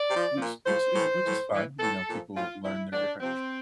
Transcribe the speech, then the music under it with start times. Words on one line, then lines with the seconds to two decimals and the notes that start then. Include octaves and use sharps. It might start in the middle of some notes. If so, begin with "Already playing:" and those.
Which which is it which is fine, you know, people learn their different
Already playing: D5
0.08 C3
0.14 F3
0.37 A#2 F3
0.66 A2 F3 C5
0.93 A2 E3
1.23 A2 E3
1.50 A2 E3
1.79 A2 E3 A4
2.07 A#2 F3
2.35 A2 F3 F4
2.63 C3 F3 E4
2.92 A2 E3 D4
3.20 C3 F3 C4